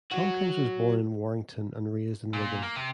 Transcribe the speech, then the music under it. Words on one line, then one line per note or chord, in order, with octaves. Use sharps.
Tomkins was born in Warrington and raised in Wigan.
F#3 F#4
A#2
A#3
C3